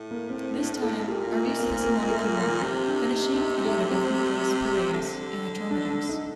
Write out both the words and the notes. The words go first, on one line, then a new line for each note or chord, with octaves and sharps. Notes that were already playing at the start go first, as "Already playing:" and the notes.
This time, Aris Thessaloniki won, finishing ahead of Ethnikos Piraeus and Atromitos.
Already playing: A2
A#3
C4
D4
A4
A#2 G4
F4
D#4
A#3
C4
A#3
A3
A3
A#3
C3 C4
D4
D#4
D4
D#4
A3
C4
D3
D4
D4
D#4